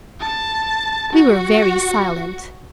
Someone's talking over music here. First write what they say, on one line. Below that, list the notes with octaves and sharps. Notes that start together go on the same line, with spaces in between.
We were very silent.
A5
F#4